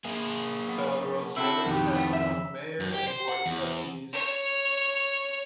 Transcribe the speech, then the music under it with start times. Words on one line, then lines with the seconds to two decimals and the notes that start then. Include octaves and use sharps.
Bellerose Village has its own mayor and Board of trustees.
0.05 A#3 G#4
0.69 B3
1.36 C4 E4 F#4 A4
1.66 F2 B2 D#3 G4
1.95 A3 B3 G4
2.13 E5
2.80 F#2
2.93 G4
3.07 C5
3.29 F#5
3.46 E2
4.12 C#5